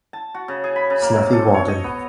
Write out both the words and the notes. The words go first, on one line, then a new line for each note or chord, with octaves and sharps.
Snuffy Walden.
A5
F#4
C#3
G#4
B5
C#3
A#3
C3
A4
C#5
D#5
B3